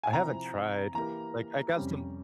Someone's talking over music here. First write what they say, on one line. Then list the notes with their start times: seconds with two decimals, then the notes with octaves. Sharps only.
I haven't tried. Like, I got some
0.03 G#5
0.13 C3 F3 C4 E4 A#5
0.94 E3 A#3 E4 G4 A#4 A#5
1.76 F2 C3 G3 C#4 G4